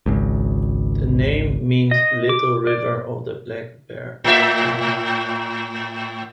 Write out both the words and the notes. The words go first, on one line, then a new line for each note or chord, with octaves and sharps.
The name means "little river of the black bear tail".
G#1 C#2
D#5
D6
D5
A2 E5